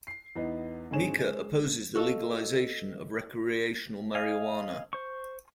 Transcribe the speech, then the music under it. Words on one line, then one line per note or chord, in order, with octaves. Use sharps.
Mica opposes the legalization of recreational marijuana.
C7
E2 B3 D#4
G#2 D3 C4 G#4 C#5 E7
G#3
F#4 A4 D#5 F5
D#5 F5 G#5
C5 C#6